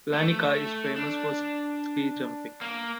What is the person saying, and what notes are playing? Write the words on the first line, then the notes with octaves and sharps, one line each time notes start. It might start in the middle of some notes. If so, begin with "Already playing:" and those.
Planica is famous for ski jumping.
A3
D4
A#3